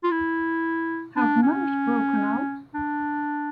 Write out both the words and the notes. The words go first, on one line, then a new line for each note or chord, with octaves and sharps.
Have mumps broken out?
F4
E4
D4
C#4
D4